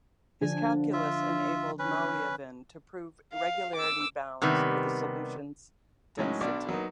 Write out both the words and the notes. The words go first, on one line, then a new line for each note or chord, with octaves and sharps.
His calculus enabled Malliavin to prove regularity bounds for the solution's density.
D3 F3 D4 G#5
F4 E5
C#4 B4
F5
D6 E6
C3 D#3 G3 B3
A2 D#3 F#3 G#3 C#4
B1 B2 D4 D5 D6
F#3 A#3 B3 D#4